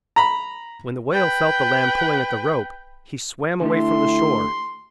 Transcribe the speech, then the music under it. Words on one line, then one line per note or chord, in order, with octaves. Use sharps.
When the whale felt the lamb pulling at the rope he swam away from the shore.
A#5 B5
B4 G5
D3 A3 E4 G4 C6